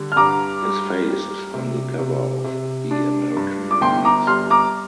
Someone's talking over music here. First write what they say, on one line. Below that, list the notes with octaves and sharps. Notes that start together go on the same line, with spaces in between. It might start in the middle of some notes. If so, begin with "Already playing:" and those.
His face is on the cover of the American release.
Already playing: D3 G3
F6
G2 A#5 D6
G3
G3
C3
C3
C3
D4
G2
D6
G1 G5 C6
A#5 D6
G3 C6 F6
A#5 D6